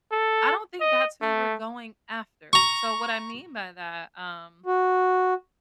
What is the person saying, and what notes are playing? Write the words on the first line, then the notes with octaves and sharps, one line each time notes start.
I don't think that's who we're going after. So what I mean by that, um,
A4
D#5
A3
A#5 C#6
F#4